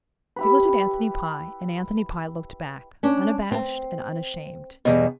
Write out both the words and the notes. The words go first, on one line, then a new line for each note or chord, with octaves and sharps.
She looked at Anthony Pye, and Anthony Pye looked back unabashed and unashamed.
E4 G4 B4
C#4 D4
C4
E2 G2 B2